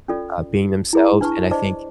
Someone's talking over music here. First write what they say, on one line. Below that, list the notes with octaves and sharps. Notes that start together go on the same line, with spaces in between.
uh, being themselves, and I think
C#4 F4 A4 D5
E4 G#4 A#5
D4 B4 A5 C#6
C5 D5 D#5 A5 D6